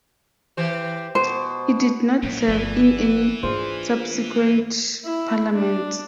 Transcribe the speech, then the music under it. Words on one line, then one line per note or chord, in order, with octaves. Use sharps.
He did not serve in any subsequent Parliaments.
E3 G4 C5
B2 C5
F#2 A#2 G3 G#3
G1 E3 F3 B3 D5
G#2 D4 E4 F4 G#4 C5
E4
D4